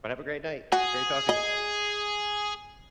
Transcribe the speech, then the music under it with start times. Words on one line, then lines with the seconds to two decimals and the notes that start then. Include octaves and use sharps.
But have a great night. Great talking.
0.72 F#4 G#4
1.29 D#5